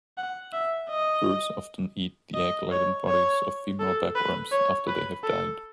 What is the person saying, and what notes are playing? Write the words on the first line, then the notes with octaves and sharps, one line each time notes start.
Birds often eat the egg-laden bodies of female bagworms after they have died.
F#5
E5
D#5
D#5
C#5
C#5
A4
B4
C#5
B4
A4